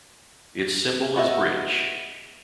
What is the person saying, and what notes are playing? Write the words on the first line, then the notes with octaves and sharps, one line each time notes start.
Its symbol is bridge.
B3 F#4 D#5 E5